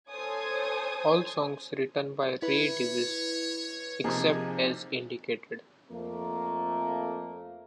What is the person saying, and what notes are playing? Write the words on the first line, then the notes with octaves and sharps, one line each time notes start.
All songs written by Ray Davies, except as indicated.
A4 C5 C#5 G#5 D#6
E4 B4 C#5
C3 F3 A#3 D#4 G#4
F2 A3 A#3